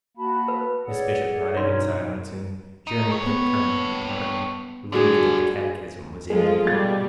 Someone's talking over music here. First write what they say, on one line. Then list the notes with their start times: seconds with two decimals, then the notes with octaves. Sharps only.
Miss Bishop nodded in silence, and Jeremy Pitt turned to depart, relieved that the catechism was ended.
0.17 A#3 F#4 A5 B5
0.48 B4
0.86 G#4 A4 C#5 D5 F#5
1.55 G2 B2 C#4 D#4 C#5 D5 C6
2.87 D#4
3.10 G2 C#5
3.26 B3
4.92 D3 G3 D4 F#4 G#4
6.30 F3 G#3 F4 G#4 A4
6.67 B2 G3 A6